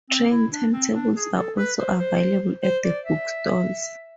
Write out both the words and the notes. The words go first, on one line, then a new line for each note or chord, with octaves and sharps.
Train timetables are also available at the book stalls.
C4
E4
D4
C4
D4
G#4
A4
B4
C5
C5
C5
D5
E5